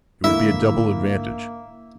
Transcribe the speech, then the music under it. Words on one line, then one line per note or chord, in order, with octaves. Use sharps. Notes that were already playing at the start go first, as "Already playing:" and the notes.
It would be a double advantage.
G#2 D3 A#3 E4 E5